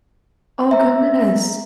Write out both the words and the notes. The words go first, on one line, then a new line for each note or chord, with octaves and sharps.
Oh, goodness.
E5 A#5